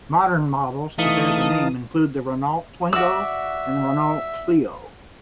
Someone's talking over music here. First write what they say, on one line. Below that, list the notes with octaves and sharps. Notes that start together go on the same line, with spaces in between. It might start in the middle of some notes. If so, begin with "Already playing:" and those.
Modern models to bear the name include the Renault Twingo and the Renault Clio.
E3 A3 D#4 F5 A5 D#6
F#4 D5 E5 E6